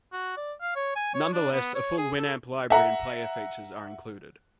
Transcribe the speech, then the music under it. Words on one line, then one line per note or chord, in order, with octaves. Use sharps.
Nonetheless, a full Winamp Library and player features are included.
F#4
D5
F5
C#5
G#5
C#5
D4
B3
C#5
G#4
A4
E5 F#5 A#5